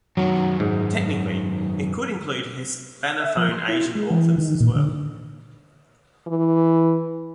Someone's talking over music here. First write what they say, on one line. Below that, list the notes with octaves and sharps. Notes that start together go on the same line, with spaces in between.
Technically, it could include hispanophone Asian authors as well.
F#2 D#3 F#3
G#2
E5
F3
C6
E4
G#3
E3
D#3
A#2
D3
E3